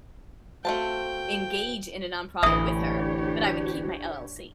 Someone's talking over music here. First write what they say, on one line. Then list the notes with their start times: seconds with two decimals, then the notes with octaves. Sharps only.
engage in a nonprofit with her, but I would keep my LLC.
0.65 A3 C4 F#4 C5 F5 G5 A5
2.43 A1 D2 E3 D4 G4 C#5 E5 D#6